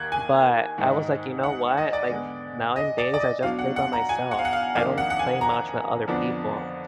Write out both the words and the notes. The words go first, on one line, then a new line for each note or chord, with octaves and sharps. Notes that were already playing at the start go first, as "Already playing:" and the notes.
But, I was like, "You know what?" Like, nowadays, I just play by myself. I don't play much with other people,
Already playing: D#2 D#3 A#3 F#6 G#6
G#5
G#2 D#3 G#3 D#4
F#5
D#5
D5
D3 G#3 B3
D#5
D5
D5
D#5
B2 F#3 D4 F5
F#5
F#5
A#5
G#5
F#5
F5
F#5
F5
F2 D#3 A#3 D4 F5
F#5
F#5
G#5
A#5
F2 D3 F3 B3 D4